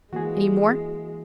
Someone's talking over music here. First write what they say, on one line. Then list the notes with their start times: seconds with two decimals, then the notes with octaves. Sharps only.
"Any more?"
0.13 E3 G#3 A#3 F#4 G#4